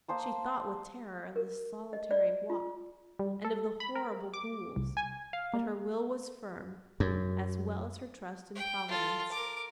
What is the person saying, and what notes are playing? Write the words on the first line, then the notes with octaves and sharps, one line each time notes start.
She thought with terror of the solitary walk, and of the horrible ghouls, but her will was firm, as well as her trust in Providence.
A#3 C5 A5 D#6
A#4
D#5
D5
F4
G3
A4
B5
A#4
D6
C2
G#5
F5
A#3
F#2
G5
F4 A4
A#4 D6